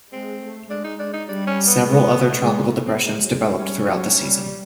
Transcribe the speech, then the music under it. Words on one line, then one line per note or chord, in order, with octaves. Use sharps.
Several other tropical depressions developed throughout the season.
G#3 C4
A3
G#3 D4
D#4
D4
D#4
G3 D4
C#4
B3
G#3
A3
G#3
A3
C4
B3
G#3 A#3
F#3
G3
G3 C#4
F#3
G3